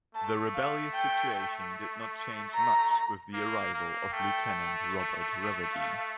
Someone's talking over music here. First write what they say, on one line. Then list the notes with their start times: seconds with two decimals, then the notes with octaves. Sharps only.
The rebellious situation did not change much with the arrival of Lieutenant Robert Reverdy.
0.15 A3 A5
0.55 F5
0.95 G5
2.55 A#5
3.34 A#3
3.74 A#3
4.13 A3 G5
5.73 F5